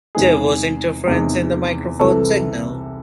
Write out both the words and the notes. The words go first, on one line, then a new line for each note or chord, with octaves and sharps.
There was interference in the microphone signal.
E2 C3 D#3 G#3 G#4
E2 C3 D#3 G#3
C2 C3 E3 A4